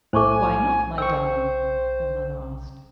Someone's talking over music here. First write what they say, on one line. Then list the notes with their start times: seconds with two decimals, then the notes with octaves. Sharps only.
"Why not, my darling?" her mother asked.
0.13 B1 A2 A3 C5 G#5 C#6 D6
0.98 C5 G5 C#6 E6